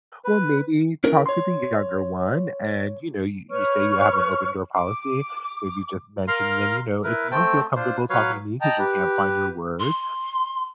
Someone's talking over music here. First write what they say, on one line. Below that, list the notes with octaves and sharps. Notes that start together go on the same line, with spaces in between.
well, maybe talk to the younger one and, you know, you you say you have an open-door policy, maybe just mention to them, "You know, if you don't feel comfortable talking to me 'cause you can't find your words,
B4
C#4 E4 A#4
C#5 C6
B4 C#5 C#6 F6
D6
A#4 F5 A#5 C6
E4 A#4 B4
A3 C4 G5 A5
D4 F4 C5
F#3 B4 C#5 F5
D#5 G5 A5 A#5
G4 B4
C6